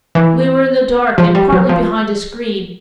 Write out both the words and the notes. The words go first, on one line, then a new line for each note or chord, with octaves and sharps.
We were in the dark and partly behind a screen.
E3
F3
G3
F#3
F3